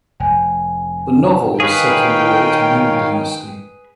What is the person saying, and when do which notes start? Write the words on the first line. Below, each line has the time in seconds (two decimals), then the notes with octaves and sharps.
The novel is set in the late Ming dynasty.
0.20 F1 G5 G#5
1.60 D#3 G#4 B4 C#5 F5 G5